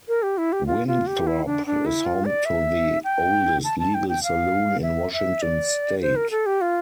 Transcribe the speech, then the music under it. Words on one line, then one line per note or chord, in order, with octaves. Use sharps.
Winthrop is home to the oldest legal saloon in Washington state.
A#4
G4
E4
G4
F4
F4
G4
E4
D4
D4
E4
F4
D5
E5
G5
A5
A5
G5
G5
F5
E5
E5
D5
C5
A#4
A4
G4
F4